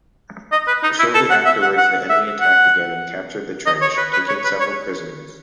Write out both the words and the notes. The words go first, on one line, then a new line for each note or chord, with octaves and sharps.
Shortly afterwards the enemy attacked again and captured the trench, taking several prisoners.
D#5
B4
D#4
E4
A4
F#5
E5
F#5
F#5
E5
F#5
D#5
C#5
B4
B4
C#5
B4
C#5